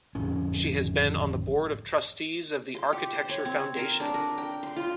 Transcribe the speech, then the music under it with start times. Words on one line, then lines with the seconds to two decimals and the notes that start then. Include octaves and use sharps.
She has been on the Board of Trustees of The Architecture Foundation.
0.15 D1 G#1 F2 C#4
2.74 C6
2.93 G4
3.13 C5
3.29 C#5
3.45 C4
3.77 A#4
4.00 D4
4.14 A#4
4.38 G5
4.63 C6
4.76 F4